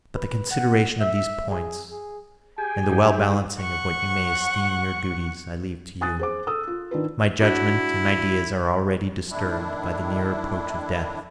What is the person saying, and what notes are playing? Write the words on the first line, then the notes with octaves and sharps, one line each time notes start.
But the consideration of these points, and the well balancing of what you may esteem your duties, I leave to you; my judgment and ideas are already disturbed by the near approach of death.
B4
F#5
E5
G#4
G#4
G4 G#4 G5 G#5
G2 G3 D#4
F#5 C#6
G#5 D#6 F#6 A6
G#4 C5 D6
A4 D#6 E6
F4
D#3 D4 F4 B4
D4 E4 F#4
A2 D#3 D4 E4